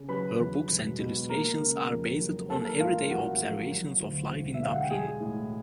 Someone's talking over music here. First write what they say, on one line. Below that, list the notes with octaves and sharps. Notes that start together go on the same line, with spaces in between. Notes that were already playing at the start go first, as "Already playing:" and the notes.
Her books and illustrations are based on everyday observations of life in Dublin.
Already playing: C#3
F#3 B4 B5
E2
E1
B2
A#3 A#4 A#5
C#3
F2
F#3
A#3 A4 A5
A#4 A#5
G#2 F4 F5
A1 F#4 F#5
F3
F#3
D2
E1
E5
D3 F5
F#5
G5
G#3 G#4 G#5
A2